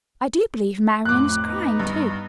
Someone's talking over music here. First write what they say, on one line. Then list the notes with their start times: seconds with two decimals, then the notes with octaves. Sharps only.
I do believe Marian is crying, too.
1.05 F2 A2 D6 F#6
1.45 B3 D#4
1.80 G2